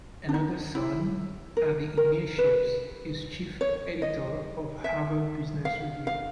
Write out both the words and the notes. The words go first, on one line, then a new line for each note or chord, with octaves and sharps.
Another son, Adi Ignatius, is Chief Editor of Harvard Business Review.
D4
D#4
E4
A#4
A#4
B4
C#5
D#5
E5
F5
F5